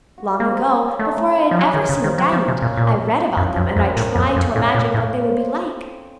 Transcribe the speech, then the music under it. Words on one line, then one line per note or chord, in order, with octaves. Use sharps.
Long ago, before I had ever seen a diamond, I read about them and I tried to imagine what they would be like.
F#4
F4
A#3 C4 D#4
C#4 F4
A3 D#4 F#4
C#4 F4
C#4 F4
D#4 F#4
F3
F#3 C#4 F4
D#3
C#3 C4 D#4
D#3
F#3 C4 D#4
F3
C3 C#4 F4
A#2
A#2
D#4 F#4
F#2 C#4 F4
F#2 C4 D#4
F2 A#3 C#4
A2 A3 C4
F2
C#4 F4
F#2
A2 C#4 F4
A#2
A2
C4